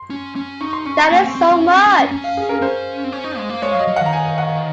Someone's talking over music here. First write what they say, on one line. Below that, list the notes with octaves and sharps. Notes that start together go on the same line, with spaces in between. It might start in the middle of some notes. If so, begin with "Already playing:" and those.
That is so much!
Already playing: C6
C#4
C#4
D#4 C#6
C6
C#4 C#6
C6
A#3 G#5
C4
C4
C4
C#4
C4
C#4
C#4
C#4
F5
G#4
A#4
C#4 C5
C4
C#4
D#4
G#3
A#3
G#3 C#5
F5
F#3
D#5
F#3
D#3 F#5
A#5
G#5
F#5